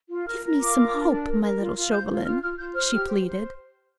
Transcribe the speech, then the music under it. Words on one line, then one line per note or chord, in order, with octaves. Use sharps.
"Give me some hope, my little Chauvelin," she pleaded.
F4
A#4 F6
A#4
F4 D6
A#4
D4
D4
A#4
A#4
F4
F4
C5 G6
F4
F4 F6
F4 F6
F4 G6
C5 F6
G4
C5
C5